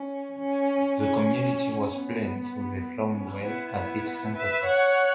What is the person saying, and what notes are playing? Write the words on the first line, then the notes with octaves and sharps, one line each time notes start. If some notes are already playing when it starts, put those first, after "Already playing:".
The community was planned with a flowing well as its centerpiece.
Already playing: C#4
C#4
C#4
B3
C#4
B3 E4
B3 E4
B4 E5
C#5 F#5